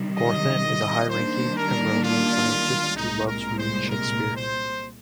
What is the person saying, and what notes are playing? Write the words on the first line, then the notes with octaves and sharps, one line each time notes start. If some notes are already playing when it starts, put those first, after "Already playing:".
Gorthan is a high-ranking Evronian scientist who loves reading Shakespeare.
Already playing: C3 D#3 G3
D#5
D#3 G3 A#3 D4 C5
A#4
F4
C2 A#2 G#3 D#4
A#4
C5
A#4
C5